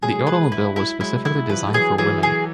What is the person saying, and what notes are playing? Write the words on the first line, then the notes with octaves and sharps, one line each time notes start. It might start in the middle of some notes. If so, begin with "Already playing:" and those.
The automobile was specifically designed for women.
F#3 G#3 G#4
B4
E4
E4
F#3 G#3 E4
E4
F3 G3 B4
G3
E3 F#3 G#4
E3 F#3 G#4
G#4